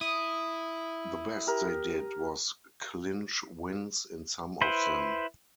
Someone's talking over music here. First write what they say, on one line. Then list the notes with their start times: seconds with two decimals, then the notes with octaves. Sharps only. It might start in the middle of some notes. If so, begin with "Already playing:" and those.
The best they did was clinch wins in some of them.
0.01 E4 D#6
1.47 G4 A#4
4.61 E4 B4 C5